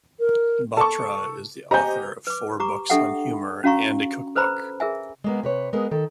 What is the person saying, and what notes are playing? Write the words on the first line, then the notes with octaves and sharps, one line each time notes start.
Batra is the author of four books on humor and a cook book.
A#4
A4 A5 C#6
G4 C5 D#5 F#5 G#5 A#5 G6
B4 D6
G4 A#5 D6
D4 G4 A4 E5 F#5 G5
C#4 F#4 F5 A#5 C#6
A4 B4 C5 A#5 B5
G#4 A#4 E5 G#5
G#3 A#3 B3
C3 B4 C#5
G#3 B3 G#4 A#4 D#5
D#3 A4